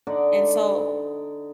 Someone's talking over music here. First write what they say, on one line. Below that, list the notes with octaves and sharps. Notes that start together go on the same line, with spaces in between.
And, so,
D3 D#4 D5 F#5